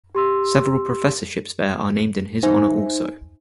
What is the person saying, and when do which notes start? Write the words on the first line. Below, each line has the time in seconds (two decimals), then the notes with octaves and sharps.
Several professorships there are named in his honor also.
0.15 G4 C6 E6
2.43 D#4 C5 E5 G#5